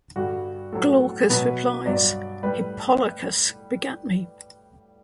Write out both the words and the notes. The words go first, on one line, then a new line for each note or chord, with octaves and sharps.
Glaucus replies: Hippolochus begat me.
G2 D3 G3 F#4
A2 F#3 A4
B2 F#3 B4
G2 F#3 D5
A2 G3 B4